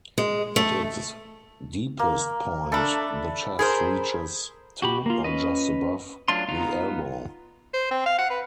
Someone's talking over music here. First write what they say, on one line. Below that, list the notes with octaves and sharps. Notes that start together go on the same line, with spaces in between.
At its deepest point the chest reaches to, or just above, the elbow.
G#3
A3
A#3
A3 D4 A4 B5
G#4 A#4 C5 B5
F#4 G4 B5
A#3 F4
C#4 B4 D#5
F#3 A3 D4 F4 C6
B3 D#4 F4 F5 A#5
C5
C4
F5
F#5
B4